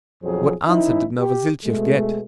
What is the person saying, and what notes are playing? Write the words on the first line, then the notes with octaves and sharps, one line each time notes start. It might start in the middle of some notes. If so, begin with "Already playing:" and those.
What answer did Novosiltsev get?
B1 F2 F3 F#3 G#4 C5
E3 C#4 D#4 E4
G4
B2 G#3 A3